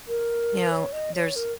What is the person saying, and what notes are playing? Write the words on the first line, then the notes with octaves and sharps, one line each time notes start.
you know, there's,
A#4
C#5
D#5
C#5
A#4